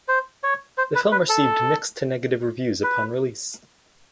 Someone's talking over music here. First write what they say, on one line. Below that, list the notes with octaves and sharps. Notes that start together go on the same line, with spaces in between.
The film received mixed to negative reviews upon release.
C5
C#5
C5
B4
B4
A4
B4